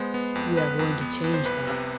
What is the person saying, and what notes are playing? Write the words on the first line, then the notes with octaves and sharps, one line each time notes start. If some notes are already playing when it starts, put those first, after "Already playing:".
We are going to change that.
Already playing: G#3 B3 C5
B3
F2
B3 B4
F2
B3
F2
C5
C2 B4
C3